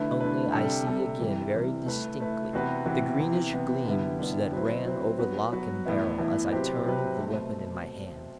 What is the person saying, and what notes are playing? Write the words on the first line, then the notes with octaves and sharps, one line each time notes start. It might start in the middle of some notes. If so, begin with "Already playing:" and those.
Only I see again very distinctly the greenish gleams that ran over lock and barrel as I turned the weapon in my hand.
Already playing: D3 A3 E4 B4
D3 A3 E4 B4
C3 G3 D4 A4
C3 G3 D4 A4
C3 E3 G3
C3 E3 G3
A3 E4 B4
A3 E4 B4
C3 E3 B3 F#4 B4
C3 E3 B3 F#4 B4
C3 E3 B3
C3 E3 B3
D3 G3 B3 E4
D3 G3 B3 E4
F#3 C4 E4 B4
F#3 C4 E4 B4
F#3 B3 F#4 B4
F#3 B3 F#4 B4
A2 E3 B3 E4
A2 E3 B3 E4
C3 F#3 C4 G4 B4
C3 F#3 C4 G4 B4
B2 A3 C4